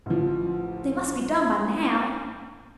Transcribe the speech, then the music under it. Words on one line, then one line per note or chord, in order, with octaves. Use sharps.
"They must be done by now."
A1 F3